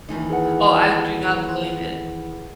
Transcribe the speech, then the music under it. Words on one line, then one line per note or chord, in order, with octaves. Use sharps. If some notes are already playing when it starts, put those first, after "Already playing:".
Oh, I do not blame it.
D#2 E3 D#4
G#4 B4 F#5